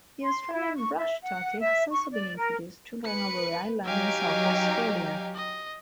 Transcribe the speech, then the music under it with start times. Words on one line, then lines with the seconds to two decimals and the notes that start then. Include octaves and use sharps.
The Australian brushturkey has also been introduced to Kangaroo Island in South Australia.
0.22 C6
0.53 E4
0.76 C#6
0.97 E5
1.22 F#5
1.59 E5
1.91 C#6
2.12 D5
2.37 A#4
3.05 B4 C#7
3.85 F#3 D#4 G4 F5 G#5
5.35 D#5